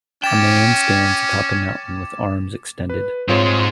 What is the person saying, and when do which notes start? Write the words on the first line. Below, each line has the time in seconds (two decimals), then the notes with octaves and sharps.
A man stands atop a mountain with arms extended.
0.24 C#4 G5 D6 A6 E7
2.90 B4
3.28 G#2 G#3 C4 F4 C#5